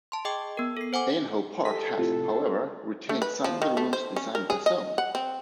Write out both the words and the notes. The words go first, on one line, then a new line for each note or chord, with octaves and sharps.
Aynhoe Park has, however, retained the rooms designed by Soane.
A5 C6
G#4 D#5 G5 D6
B3 A#4
A4 C7
C5 F#5 G#5 D6
G4 A4 D#5 B6
A2 C3 F3
C4
A3
B4
F3
D#3
A3
C5
C#4
A#4
G#4
D#5
F#5
C4